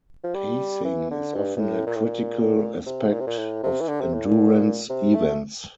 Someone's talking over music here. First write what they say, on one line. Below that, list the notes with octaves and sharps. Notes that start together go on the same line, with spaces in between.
Pacing is often a critical aspect of endurance events.
F3
G3
E3
D3
G2
G2
A2
A#2
A2
A#2
C3
A#2
C3
A#2
A2
C3
E3
D3
C3
A2
A#2
C3
A3